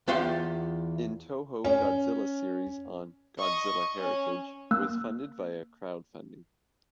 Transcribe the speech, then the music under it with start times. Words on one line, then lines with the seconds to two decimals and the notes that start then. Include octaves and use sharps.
In Toho Godzilla Series on "Godzilla: Heritage" was funded via crowdfunding.
0.08 E2 F4 G4 E5 F#5 C6
1.64 C#4
3.38 D#5 C#6
3.97 C#4
4.71 A#3 E6 F#6